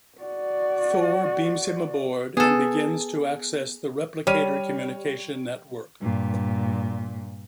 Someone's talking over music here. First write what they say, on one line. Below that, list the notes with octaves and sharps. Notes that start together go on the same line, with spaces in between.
Thor beams him aboard, and begins to access the Replicator communication network.
F#4 D5
B3 G#4 A4
G3 C#5 F6 D#7
G2 A#2